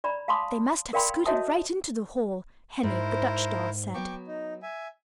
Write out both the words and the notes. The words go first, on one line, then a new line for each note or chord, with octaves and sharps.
"They must have scooted right into the hole," Henny, the Dutch doll said.
D5 A#5 B5
F5 A5 B5 C6 D6 D#6
A#4 D5 F5 G5 B5 C6
F#4 C#5 D#5 E5 A5 D#6
G#2 E4 A#4 C5
F#3 B3 G5 C#6 D6
D#4
E5 G#5